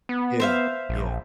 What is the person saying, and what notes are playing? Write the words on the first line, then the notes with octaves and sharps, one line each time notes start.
Yeah. Yeah.
B3
C5 E5 F5
A#1